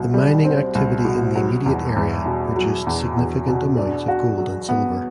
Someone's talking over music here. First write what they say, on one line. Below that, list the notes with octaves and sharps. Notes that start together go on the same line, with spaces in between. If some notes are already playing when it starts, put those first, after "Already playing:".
The mining activity in the immediate area produced significant amounts of gold and silver.
Already playing: C2 B2
G3
C4
C2
B2
F#3
E2
E2
B2
F#3
E2
E2
B2
D4
F#4
F#3
B3